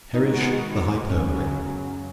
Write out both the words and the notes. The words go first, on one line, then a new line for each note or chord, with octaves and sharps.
Perish the hyperbole!
D#3 G#3 B3 D#4 F#4
F#2 C#3 F#3 C#4